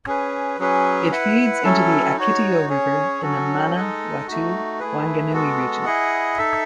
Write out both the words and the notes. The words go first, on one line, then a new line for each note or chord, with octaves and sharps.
It feeds into the Akitio River in the Manawatu-Wanganui region.
C#4 G#4 B4
F#3 C#4 G#4 B4
E4 B4 F#5
F#3 C#4 E4 A4
D#4 F#4 C#5
C#4 G#4 C#5
F#3 C#4 F#4 A4
G#3 D#4 A4 D#5
A3 D#4 F#4
A3 E4 G#4 B4
G#3 B3 F#4 A4
E4 G#4 D#5 F#5
D#4 A4 E5